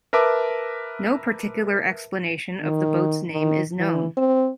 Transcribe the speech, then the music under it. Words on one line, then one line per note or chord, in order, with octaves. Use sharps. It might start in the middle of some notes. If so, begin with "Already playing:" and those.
No particular explanation of the boat's name is known.
A#4 B4 E5 A5 D6
D#3
D#3
E3
C4